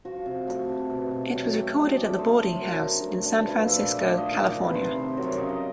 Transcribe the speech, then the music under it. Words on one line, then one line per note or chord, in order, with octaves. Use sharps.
It was recorded at The Boarding House in San Francisco, California.
F3 F#4
C3
A3 F#4
C3
B2
B2
G4
F#3 F#4
A3 G4
F#3 G#4
D5
D3 D5
C5 C#5
A3 C5
F#3
F#3 A#4
D3
A3
D3
F3 B4
A#2 E5
A3 D5
D5
F3
D#5
D#3 D5
D#3
B4
C3 C5
C3
F#3 A#4
C#5 D5
C#3 D#5
D#5